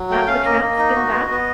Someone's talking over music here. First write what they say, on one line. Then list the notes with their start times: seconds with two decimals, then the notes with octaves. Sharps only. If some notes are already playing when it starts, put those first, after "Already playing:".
Have the tramps been back?
Already playing: F#3
0.10 A3 G5
0.27 C#4 F5
0.45 A#3 D#5
0.62 A#3
0.78 D#4
0.96 F#4
1.12 B3
1.30 B3